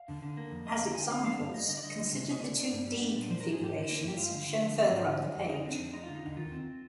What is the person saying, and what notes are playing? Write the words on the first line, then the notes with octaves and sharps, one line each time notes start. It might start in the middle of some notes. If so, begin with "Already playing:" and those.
As examples, consider the two "d" configurations shown further up the page.
Already playing: F5
D3
D3
A#3
F2
G#3 D#5
D3
D3 G#5
G5
D3 F5
D4 F5
G2 F5
G3 D#5
D3 D#5
D5
D3 D#5
G3
C3
C3 D#5
D3 D5
D4
G2
G3
D4
A#2
F3 C5
A#4
D4
G#4
G#2 G4
D3
A#3
G2 G4
G#3 F4
D3
D3
F3
C4
G#2
D3
G#3
F2
D3 D#4
C4
D4
F2
G#3 D#4
D3 F4
D#4
D3
D#3 F4
C4